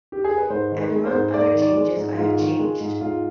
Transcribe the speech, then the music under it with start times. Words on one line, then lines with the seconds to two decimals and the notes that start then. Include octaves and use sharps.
And, among other changes, I have changed.
0.12 G4
0.24 G#4
0.38 B4
0.50 G#2 C5
0.72 D#3
0.78 B4
0.92 G#3
1.06 C5
1.13 G#2
1.34 G#2 D5
1.55 D#3
1.62 D5
1.76 G#3
1.97 G#2
2.17 G#2 F4
2.38 D#3
2.59 G#3
2.81 G#2
3.01 G#2 F4